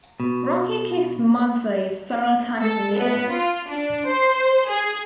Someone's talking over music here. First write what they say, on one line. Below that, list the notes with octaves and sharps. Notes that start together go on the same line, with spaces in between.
Rocky kicks Mugsy several times in the air.
B2
A4
B3
F4
D4
C5
G#4